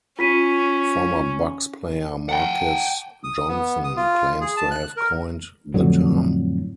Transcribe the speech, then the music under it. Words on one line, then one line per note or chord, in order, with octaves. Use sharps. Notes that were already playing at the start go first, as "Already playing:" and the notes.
Former Bucks player Marques Johnson claims to have coined the term.
C#4 F4 B6 D#7
F#5 G5
D#6
B3
D#6
F4
G#4
A5
F#6
A#4
F2 A2 D3 F#3